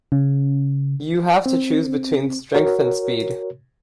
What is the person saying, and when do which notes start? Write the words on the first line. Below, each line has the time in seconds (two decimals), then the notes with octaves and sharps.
You have to choose between strength and speed.
0.12 C#3
1.46 C4
2.54 F#4 A#4 C#5